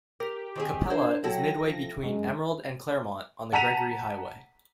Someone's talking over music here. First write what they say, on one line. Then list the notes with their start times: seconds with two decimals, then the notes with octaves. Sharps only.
Capella is midway between Emerald and Clermont on the Gregory Highway.
0.20 G4 A#4
0.56 D#3 C4 G#4
0.90 D4 E4 A#4 C5
1.24 F#3 E4 G4 A4 A#6
1.64 F3
2.03 F#2 G#3
3.53 F#5 A5 A#5 B6 D#7 F7